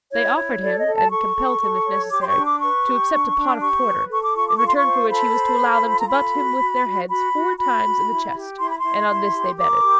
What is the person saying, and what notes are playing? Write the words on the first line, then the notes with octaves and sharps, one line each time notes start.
They offered him, and compelled him, if necessary, to accept a pot of porter, in return for which he was to allow them to butt him with their heads four times in the chest, and on this they betted.
E4 C#5
C#5
A4 D5
D#5
A4
A5
A4 C#6
A4
A4
C#5
G4 D6
C6
C#6
D4
D6
B4 C#6
G4
D4
D4
G4 C#6
B4
A4 C#6
D6
F4 C#6
D6
F4 C#6
C6
C#6
C5
A4 B5
C5
A4
F4
A#5
A4 B5
F#4
F#4
F#4
F#4 B5
F#4
F#4 B5
F#4
E4
G4
E4 C6
B5
E4 C6
E4
G4
A#4 D6
G4